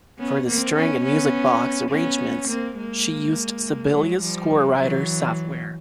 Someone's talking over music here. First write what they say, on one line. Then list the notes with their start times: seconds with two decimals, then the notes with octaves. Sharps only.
For the string and music box arrangements, she used Sibelius scorewriter software.
0.19 B3 C#4
0.47 A#3 C4
0.75 B3 C#4
1.05 B3 C#4
1.91 B3 C#4
2.48 A#3 C4
2.77 G#3 A#3
3.92 F#3 G#3
4.20 F3 G3
4.79 E3 F#3